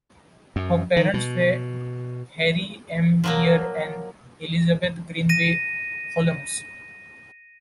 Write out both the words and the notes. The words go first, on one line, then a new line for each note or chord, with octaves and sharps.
His parents were Harry M. Beer and Elizabeth Greenway Holmes.
F#2
D#3
B2
F3 F#3 A#3
A#6 D#7